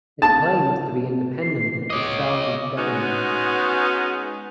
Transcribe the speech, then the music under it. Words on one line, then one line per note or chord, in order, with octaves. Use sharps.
It claims to be independent of the Saudi government.
A5
C7
C#5 D#5 D6
G#3 B3 C#4 D#4 F#4